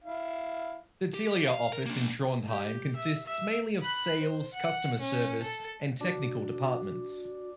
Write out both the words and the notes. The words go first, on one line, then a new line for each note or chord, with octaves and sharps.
The Telia office in Trondheim consists mainly of sales, customer service and technical departments.
E4 F5
G4
F5
A#4
A#3 D4
G4
E5
E5
B5 F#6
C5
F#5
C#4
A4
D4 F#4